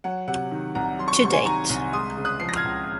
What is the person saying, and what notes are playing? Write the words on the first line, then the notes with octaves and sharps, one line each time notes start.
To date.
F#3 F#5
C3 F#5
D#3
C2 F#5 A#5
F#3 C6
C#6
C6
C3 C#6
G#5 C6
D#3 A#5 C#6
C2
G#3 C6 D#6
C#3
D#6 F#6
F3 C7
A#6
F6 G#6
C#2